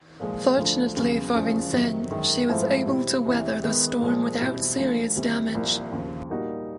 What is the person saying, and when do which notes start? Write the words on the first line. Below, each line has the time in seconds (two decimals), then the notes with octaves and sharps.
Fortunately for "Vincennes", she was able to weather the storm without serious damage.
0.20 A#2 F3 G#3
0.57 D2 D3 F3
0.97 D#2 C#3 F#3 B3
1.34 E2 C#3 F3 G#3
1.72 F2 C3 D#3 F#3
2.10 F#2 D#3 G#3
2.48 G#2 F3 A3 C4 E4
2.86 B2 G3 C4 E4
3.25 E2 C3 E3
3.63 D#3 G#3 B3
4.01 A#2 F3 G#3
4.39 B2 G3 C4 E4
4.77 D2 D3 F3
5.16 E2 C3 D#3 G3 C4
5.53 C2 A#2 F3 A#3
5.92 D#2 C#3 F3
6.30 A#2 G3 A#3 D#4 F#4